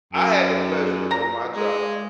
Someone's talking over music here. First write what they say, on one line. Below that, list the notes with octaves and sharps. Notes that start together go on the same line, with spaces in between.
I had the pleasure at my job
F#2
A#5
G#3